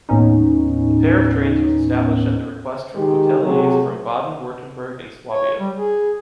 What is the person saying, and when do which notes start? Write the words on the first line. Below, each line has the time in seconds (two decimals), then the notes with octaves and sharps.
The pair of trains was established at the request from hoteliers from Baden-Württemberg and Swabia.
0.09 D#2 A2 B3 C#4 D#4
2.95 D#3 G#3 G4
3.43 C3 F#3 A3 G#4
5.31 C#5
5.60 G3
5.77 G#4